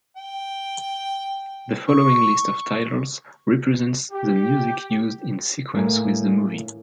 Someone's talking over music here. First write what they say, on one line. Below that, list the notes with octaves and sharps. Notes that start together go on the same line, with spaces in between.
The following list of titles represents the music used in sequence with the movie.
G5
C#6
G4
A2 A#3 G#5